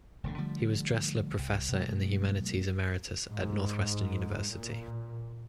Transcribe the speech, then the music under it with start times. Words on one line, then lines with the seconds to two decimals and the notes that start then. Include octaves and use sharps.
He was Dressler Professor in the Humanities Emeritus at Northwestern University.
0.24 E1 D2 D3
0.38 D3 F3 G3 A3
1.39 C2
1.72 B2 F#3 G#3 A3
3.30 G#2
4.50 A#2